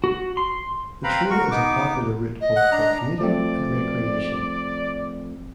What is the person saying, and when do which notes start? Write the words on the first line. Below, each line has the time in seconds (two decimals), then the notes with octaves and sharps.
The trail is a popular route both for commuting and recreation.
0.04 F#4
0.37 C6
1.04 C4 B4 F5 G5 A#5 B5
1.30 F#4 A#4 C#6
1.51 B3 D#4 D6
2.41 D#5
2.56 F#5
2.72 D4 A#5
3.20 F3 A3 C4 D5